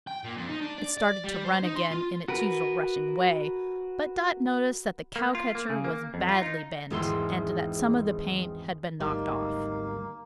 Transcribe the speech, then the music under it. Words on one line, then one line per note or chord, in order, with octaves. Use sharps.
It started to run again in its usual rushing way, but Dot noticed that the cow-catcher was badly bent and that some of the paint had been knocked off.
G5
A#2
F2
D#4
D4
D5
D5
G3
C5
D#4
C6
F4
F#4 A#4 B4
A#3
F4
A#3
C#3
A#3
F2
F4
D#4
G#1 E2 G#4 C6 E6
G#1 D2 G3 A#3 D#4